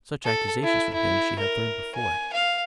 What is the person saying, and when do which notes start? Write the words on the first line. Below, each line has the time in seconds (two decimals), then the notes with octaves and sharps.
Such accusations from him she had heard before.
0.25 A4
0.63 E4
0.93 E4
1.39 A#4
1.95 G#5
2.33 F5